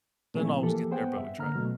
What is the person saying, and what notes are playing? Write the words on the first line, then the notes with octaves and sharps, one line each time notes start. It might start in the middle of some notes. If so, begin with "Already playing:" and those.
Doesn't always get there, but we try, yeah.
A#2 F3 A3 C4 E4 G#4
E3 F3 A#3 G4 A4
B3 G#4 C5 F#5 G5
G2 E5
D3 A#3 A#5 F6
B2 F#3 A3